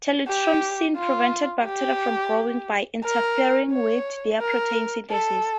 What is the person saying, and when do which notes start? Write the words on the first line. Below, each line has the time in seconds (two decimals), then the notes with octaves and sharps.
Telithromycin prevents bacteria from growing, by interfering with their protein synthesis.
0.28 G4
0.97 F4
1.66 G4
3.04 A#4
3.72 C#5
4.41 A#4
5.11 A4